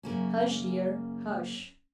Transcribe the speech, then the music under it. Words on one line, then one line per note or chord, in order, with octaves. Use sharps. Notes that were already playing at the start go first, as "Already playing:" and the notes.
'Hush, dear, hush!
F#2 C#3 A#3 C#4